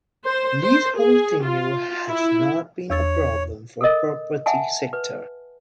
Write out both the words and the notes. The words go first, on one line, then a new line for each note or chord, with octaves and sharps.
Leasehold tenure has not been a problem for the property sector.
C5
C5
G#4
F4
E4
E2 C#5 E6 A6
A4 A#4 D#5
E5 F#5 G#5 A5
B4